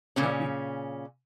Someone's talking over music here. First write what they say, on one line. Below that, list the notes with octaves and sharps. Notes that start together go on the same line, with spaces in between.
not be
A#2 C#3 C#4